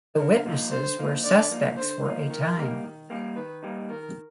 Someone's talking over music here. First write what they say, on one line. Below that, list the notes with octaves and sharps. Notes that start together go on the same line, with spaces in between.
The witnesses were suspects for a time.
D3 A#4
F3 A#3 D#4
D3 C5
F3 A#3 D#4
D3 D5
F3 A#3 D#4
D3 C5
F3 A#3 D#4
D#3 A#4
G3 A#3 D#4 G4
D#3
G3 A#3 D#4 G4
D#3 B4
G3 A#3 D#4 G4
D#3 A#4